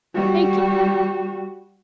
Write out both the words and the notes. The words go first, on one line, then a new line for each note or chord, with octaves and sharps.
Thank you.
G3 F#4